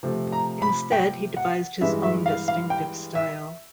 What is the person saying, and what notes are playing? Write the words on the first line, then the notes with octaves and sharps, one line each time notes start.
Instead he devised his own distinctive style.
C3 F3 A3
A#5
B5
G5
F#5
G2 E3 G#3 E5
E5
F5
F5
G5
E5